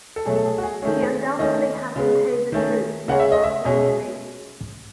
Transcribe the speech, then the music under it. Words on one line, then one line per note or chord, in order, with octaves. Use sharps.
He undoubtedly had to pay the troops he had brought to Italy.
A4
B2 F#3 A3 G#4
A4
G#4
F#4
G#4
D#3 A3 C#4 G#4
G#4
D#3 A3 C#4 D#5
C#3 G#3 B3
D#3 A3 C#4
C#3 G#3 C#4 F#5
E5
D#5
E5
B2 G#3 C#4